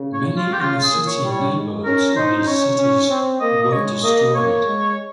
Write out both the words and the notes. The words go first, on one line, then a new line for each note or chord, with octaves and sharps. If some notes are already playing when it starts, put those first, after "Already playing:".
Many inner city neighborhoods in these cities were destroyed.
Already playing: C#3
C#5
F4
G4
C#3 F4
G#4
A#2
C#5
G3
C#5
G#3
C#4 A#4
D#4 C5
C#4 C#5
C#4
C4
A#3 D#5
D#5
G#3 C#5
A#3 D#5
A#3 C#5
G#3